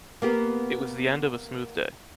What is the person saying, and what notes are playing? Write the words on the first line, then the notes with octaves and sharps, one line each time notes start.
It was the end of a smooth day.
A#3 B3 G4